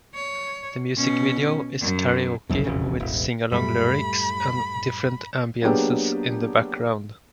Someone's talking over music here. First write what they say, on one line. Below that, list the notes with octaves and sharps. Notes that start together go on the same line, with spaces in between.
The music video is karaoke with sing-along lyrics and different ambiences in the background.
C#5
B2 C#4
F#2
G1 C2 F#2 B2
E1 A#1 F2 C#3
E1 A1
F#2 A2 G3 A3 B5
F#3 A#3 B3 D4 G4 G#4